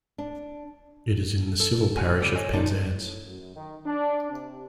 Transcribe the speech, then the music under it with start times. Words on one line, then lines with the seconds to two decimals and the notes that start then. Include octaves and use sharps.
It is in the civil parish of Penzance.
0.18 D4
1.60 A4
1.95 C2 F#2 F#4 G#5
2.20 C#3 G3 G4
2.36 C5 C#5 D#5 G#5
2.53 G2 A#2 D4 D#4
2.91 A2
3.24 F#2
3.55 D#3
3.85 D4
4.31 C3